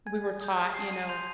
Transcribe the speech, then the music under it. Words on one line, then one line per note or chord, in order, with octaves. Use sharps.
we were taught, you know,
G#5 G#6
D#6 G6
G#5 C7
D#7
C6 G6 F7